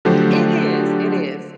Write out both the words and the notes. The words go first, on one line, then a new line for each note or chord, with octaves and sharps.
It is, it is.
D3 F3 F#3 A3 G4 C5